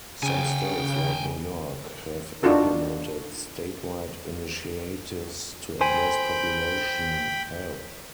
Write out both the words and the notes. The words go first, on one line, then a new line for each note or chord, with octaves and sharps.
Some states, like New York, have implemented statewide initiatives to address population health.
C#3 G5 G#5
D4 D#4 F4 F#4 A4
C5 G5 G#5 B5